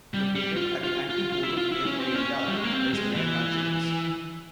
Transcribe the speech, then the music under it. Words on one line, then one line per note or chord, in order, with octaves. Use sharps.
Located at the antipode of Mare Orientale is Mare Marginis.
G3
G3
F4
F4
F4
F4
E4
F4
E4
C#4
C4
C#4
G3
G#3
A#3
C4
G#3
E3